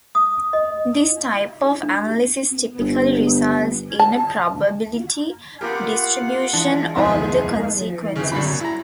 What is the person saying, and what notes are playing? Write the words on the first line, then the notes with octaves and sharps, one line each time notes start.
This type of analysis typically results in a probability distribution over the consequences.
D#6
D#5
D4
G1
A5
A#3 B3 F4 G4 A#4 F#5
E3 G#3 D4
D#1 C2 F2 D#3 G#3 B3 C4 G#4
F2 C#3
A#1 F#3 G3 D4 B5
F#2
E4 A#5